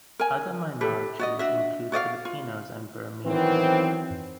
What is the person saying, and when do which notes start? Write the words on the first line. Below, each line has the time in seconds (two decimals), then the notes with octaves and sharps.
Other minorities include Filipinos and Burmese.
0.19 A#4 G#5
0.81 G4 A4 B4
1.19 F#4 D5 D#5
1.39 D4 F#4 E5
1.92 F#4 D5 D#5 F5
2.25 F4
3.26 D#3 E3 F#3 B3 C4